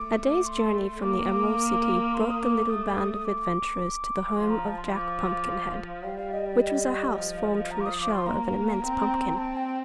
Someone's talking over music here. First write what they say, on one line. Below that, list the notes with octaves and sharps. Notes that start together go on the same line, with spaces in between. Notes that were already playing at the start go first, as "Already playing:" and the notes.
A day's journey from the Emerald City brought the little band of adventurers to the home of Jack Pumpkinhead, which was a house formed from the shell of an immense pumpkin.
Already playing: A3 D6
C6
A#3 D6
C6
D#6
D6
A3 D#6
D6
D#6
D#6
D6
F3 C6
A#5
A5
C6
F3 D6
G3 F5
F5
D#5
D5
D#5
F3
A#5
D6
D#6
D6
C6
A#3 A#5
C4
C4 A5
G5